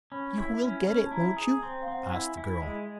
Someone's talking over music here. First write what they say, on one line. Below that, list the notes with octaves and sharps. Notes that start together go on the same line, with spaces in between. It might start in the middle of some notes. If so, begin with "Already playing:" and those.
"You will get it, won't you?" asked the girl.
C#4 B5
E4
C#4
C#4
A5
E4 A#5
G#4
C4
F5
C4 F#5
G5
E4 G#5
E4
G#3